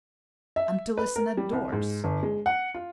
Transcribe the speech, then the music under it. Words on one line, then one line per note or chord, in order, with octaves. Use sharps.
"And to listen at doors!"
E5
B4
A#4
G3
C2
G#2
G1
G#3
F#5
F4